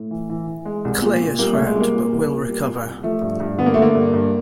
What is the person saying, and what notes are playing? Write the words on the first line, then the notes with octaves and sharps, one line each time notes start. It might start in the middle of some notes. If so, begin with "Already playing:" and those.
Clay is hurt, but will recover.
Already playing: A2
E3
E3
E3
G#3
C2
A#2
A#2
G3 A#3
C2 A3
G#3
G3
A#3
A#2
C2
A#2
G3
A#2
C2
F3 A3
G2
G2
D3 B3
A#3
D3 A3
A#3
G2
G2